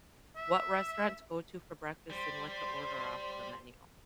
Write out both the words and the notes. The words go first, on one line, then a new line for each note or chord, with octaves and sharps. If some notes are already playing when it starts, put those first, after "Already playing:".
what restaurant to go to for breakfast and what to order off of the menu. I
E5
G3 C5 C6